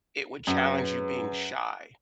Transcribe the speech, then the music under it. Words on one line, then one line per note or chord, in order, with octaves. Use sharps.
it would challenge you being shy,
F#2 C#4 G#4 B4